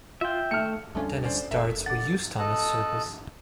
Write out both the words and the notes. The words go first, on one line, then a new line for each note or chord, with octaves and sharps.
Dennis Darts were used on this service.
F4 E5 G5
A3 F6 C#7
D2 G3 A3 C#4 D4 F4
C#4 C5 D5
F1 A3 A#3 E5
D3 F#5 D6 A6
A4 D#5 A5 F#6